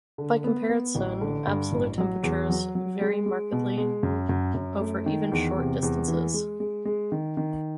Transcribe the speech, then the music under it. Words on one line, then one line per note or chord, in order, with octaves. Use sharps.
By comparison, absolute temperatures vary markedly over even short distances.
D3
B3
B3
A1
D3
G2
A1
F#3
E2
F#3
F#3
G#3
G#3
B2
G#3
F#2
F#2
F#2
A3
D#3
E2
C3
E2
E3
G#3
G#3
G#3
D#3
D#3